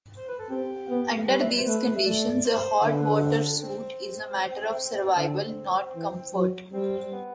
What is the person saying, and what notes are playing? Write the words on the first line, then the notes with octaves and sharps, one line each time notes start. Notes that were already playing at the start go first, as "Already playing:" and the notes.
Under these conditions a hot water suit is a matter of survival, not comfort.
C5
B4
A4
C4 G4
B3
G3 B4
E5
D5
C5
A3 B4
E5
A3 D5
C5
D3 B4
B4
C4
D4
C4
B3
D3 C4
E3
F#3
G3 C4
B3